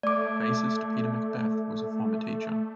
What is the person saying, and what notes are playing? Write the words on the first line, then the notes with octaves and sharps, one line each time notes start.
Bassist Peter Macbeth was a former teacher.
A3 D5 D6